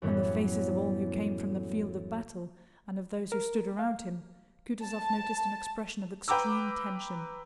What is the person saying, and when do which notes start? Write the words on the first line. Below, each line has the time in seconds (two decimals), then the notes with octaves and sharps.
On the faces of all who came from the field of battle, and of those who stood around him, Kutuzov noticed an expression of extreme tension.
0.02 F#2 A2 E3 G3 B3 C#4
3.32 A#4
3.79 F5
4.84 A5
6.28 B4 G5 A#5 D6 E6